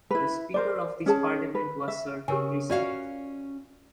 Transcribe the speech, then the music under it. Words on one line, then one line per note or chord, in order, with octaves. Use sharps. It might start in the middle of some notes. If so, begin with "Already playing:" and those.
The Speaker of this parliament was Sir Henry Smith.
E4 B4
A#4 C5 D5
C#4 G#4 A5
B4
E5
C#3 G4 A#4 G#5
C#4 F4 F#4 D5 F5